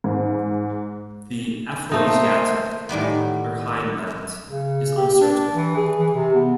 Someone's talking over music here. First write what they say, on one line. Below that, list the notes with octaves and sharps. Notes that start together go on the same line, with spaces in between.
The Afroasiatic Urheimat is uncertain.
G#2
A3 A#3 D#4 C5 E5
A2 D#3 G3 B3
C#3
G4
D4
E3
G#4
E3
C3
B3